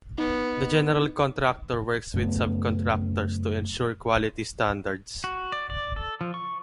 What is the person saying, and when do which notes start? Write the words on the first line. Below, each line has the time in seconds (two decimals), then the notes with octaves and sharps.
The general contractor works with subcontractors to ensure quality standards.
0.18 B3 D#4
2.14 F#2 C#3 A3 B3
5.24 F#4
5.52 D5
5.70 D5
5.96 A4
6.21 F3
6.34 C#6